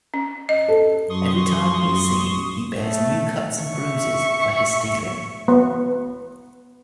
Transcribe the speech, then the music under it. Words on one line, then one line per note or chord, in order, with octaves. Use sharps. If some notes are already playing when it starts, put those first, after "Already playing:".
Every time he is seen, he bears new cuts and bruises for his stealing.
C#4
D#5
A4
F#2 C6 C#6 D#6
F#2
A3
E5 C#6
B3